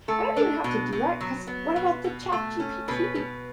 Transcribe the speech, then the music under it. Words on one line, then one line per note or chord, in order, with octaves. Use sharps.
"I don't I even have to do that 'cause what about the ChatGPT?"
A3 A4
D4
B2
B2
F#3
B3
B2
B2
A3
C#4
B2 B4
B2